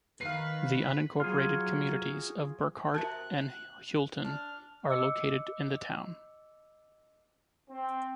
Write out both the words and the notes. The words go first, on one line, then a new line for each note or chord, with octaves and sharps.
The unincorporated communities of Burkhardt, and Houlton are located in the town.
D#3 B4 F5 C7
F#3 F4 G#4
C3 F#4 A#4 E5 A5 F#6
D4 F6
D#5 D6 E6 C#7
C4